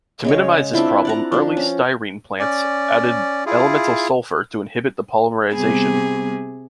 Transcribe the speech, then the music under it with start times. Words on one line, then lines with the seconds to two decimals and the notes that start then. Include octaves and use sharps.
To minimize this problem, early styrene plants added elemental sulfur to inhibit the polymerization.
0.25 C#3 G#3 C#5
0.73 C4 D4 E4 F4
1.05 D5 F#5 A#5
1.32 F3 D4
1.57 C#4
2.39 C#4 D5
3.46 E4 F4 G#4
5.52 C3 G3 B3 G#4